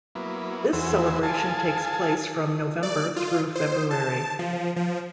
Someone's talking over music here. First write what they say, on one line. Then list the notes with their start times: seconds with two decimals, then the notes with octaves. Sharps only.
This celebration takes place from November thru February.
0.15 F#3 A#3 B3 E4
0.73 E2 E3 F#4 C5 G#5 E6
1.23 G#4 A4 F5 G#5 A5
2.83 D5
3.16 F4
3.55 C5
3.91 A5
4.39 F3
4.76 F3